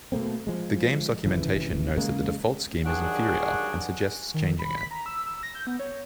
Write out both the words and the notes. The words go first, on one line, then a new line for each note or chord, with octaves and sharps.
The game's documentation notes that the default scheme is inferior, and suggests changing it.
B2 A3 A#3 C4
F3 G#3
G#1 C#3 E3
C#3 G#3 A#3
G2 D#3 F#3 D4 G#4 F#5
D#3
B5
B6
A#5
E6
E6
A#6
G6
B3
C#5